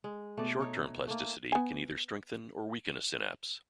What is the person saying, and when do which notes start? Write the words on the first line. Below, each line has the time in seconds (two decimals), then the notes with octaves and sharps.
Short term plasticity can either strengthen or weaken a synapse.
0.04 G#3
0.37 B2 A3 D5
0.61 D#4 C#5
1.08 A3 A#3
1.52 B3 G#5